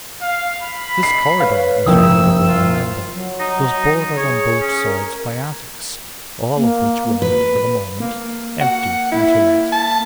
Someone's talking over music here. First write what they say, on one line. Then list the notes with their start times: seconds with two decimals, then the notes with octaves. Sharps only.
This corridor, as the reader will remember, was bordered on both sides by attics, all of which were, for the moment, empty and to let.
0.22 F5
0.61 B5
1.03 C7
1.40 B4 C#5 F5
1.86 F#1 C2 F3 A#3 G5 D#6 E6
2.47 F4
3.13 F#3
3.40 D#4
4.17 G#4 C#5
4.61 C#4
4.84 A#4
6.57 A#3
7.22 B4
8.00 A#3
8.61 F#5
9.12 E4
9.72 A5